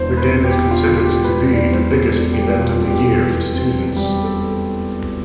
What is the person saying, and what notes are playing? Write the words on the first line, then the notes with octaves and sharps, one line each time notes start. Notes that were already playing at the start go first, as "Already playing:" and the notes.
The game is considered to be the biggest event of the year for students.
Already playing: E1 E2 D3 C5
B4
E1
G4
D3 F4
G4
E1
B4
E2 D5
C5
E1 A4
G3 G4
F4
F2
A4
G4
E3
C4
G3 G4
A4